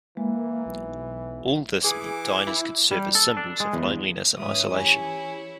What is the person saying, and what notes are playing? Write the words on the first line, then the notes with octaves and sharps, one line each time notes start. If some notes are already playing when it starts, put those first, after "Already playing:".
All this meant diners could serve as symbols of loneliness and isolation.
E3 G#3 A#3
B1
E3 G#4 D6
E4
G3
A4
D4
G#3
E2
G#2 C#4 B4 E5 D6 D#6
E3 E4 G4 C#5 G#5